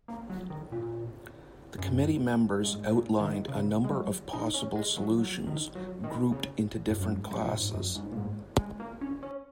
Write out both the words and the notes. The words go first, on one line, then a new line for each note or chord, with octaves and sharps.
The Committee members outlined a number of possible solutions grouped into different classes.
A#3
F#3
D#3
A#2
F#2
G#2
A#2
D#3
C#3
G#3
F#3
D#4
C#4
G#3
F#3
F#3
D#3
F#3
D#3
C#3
F#2
F#2
G#2
F#2
A#2
G#2
F#2
G#2
A#2
G#2
G#3
A#3
C#4
C#4